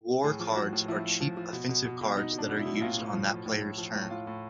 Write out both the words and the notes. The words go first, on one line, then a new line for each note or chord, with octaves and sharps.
War cards are cheap offensive cards that are used on that player's turn.
A2 G#4
F3
F3 F#4
A2
F3 E4
F3
F3
F3
B2
B2
B2
B2
B2 D#4
B2
D4
B2
E4
B2
E4
A2 F4
A2
F3
F3
A2
A2
F3
A2
A2 F4
A2